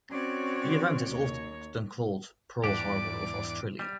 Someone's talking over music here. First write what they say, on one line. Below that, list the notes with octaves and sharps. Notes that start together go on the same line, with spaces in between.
This event is often called the "Pearl Harbor of Australia".
C4 C#4 F#4 C#5 D5
D#2 C#5
E2 G#2 D4 G4 D5 D6
G3